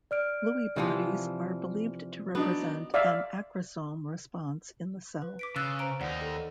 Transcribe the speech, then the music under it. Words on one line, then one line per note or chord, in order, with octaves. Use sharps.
Lewy bodies are believed to represent an aggresome response in the cell.
D5 F6 D7
C3 E3 F3
F#3 B3 D4 D#4
D5 E5 F5
B4
D6 B6 D7
C#3 E6 F#6 A6
C5 A#5 D7
D#2 D#4 D5 F#5
A4